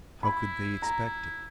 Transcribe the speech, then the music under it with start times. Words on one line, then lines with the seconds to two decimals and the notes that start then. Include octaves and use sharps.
How could they expect it?
0.23 E4 B5
0.82 A#5